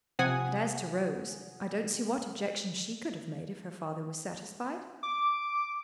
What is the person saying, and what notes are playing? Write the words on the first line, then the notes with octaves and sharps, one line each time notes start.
And as to Rose, I don't see what objection she could have made if her father was satisfied.'
C3 F3 F#5 G#5 D#6
D6